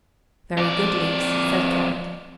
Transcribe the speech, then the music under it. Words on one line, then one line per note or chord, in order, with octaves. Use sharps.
"Very good leaves," said Kadok.
F2 D5